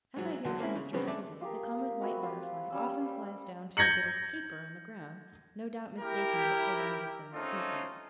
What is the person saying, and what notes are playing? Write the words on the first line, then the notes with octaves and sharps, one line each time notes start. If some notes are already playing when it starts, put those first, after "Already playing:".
As I hear from Mr. Doubleday, the common white butterfly often flies down to a bit of paper on the ground, no doubt mistaking it for one of its own species.
G#2 F#3
D2 F#3
A#3 C4 C#4 E4
C#3
G2 C#3 B3 C4
A3 D4 D6
F4 G4 G#4 A#4
C4 F#4 B4 E5
F4 G4
G3 C#4 E6
C5
G6 G#6 A#6 C#7 F#7
E4 G4 A#4
A3 C4 C#4 D#4 F4 A4